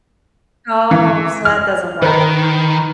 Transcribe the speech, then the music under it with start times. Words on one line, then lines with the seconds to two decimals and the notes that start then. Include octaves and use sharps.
Oh, so that doesn't work,
0.91 E3
1.45 F6
2.02 D#3 A#4 B4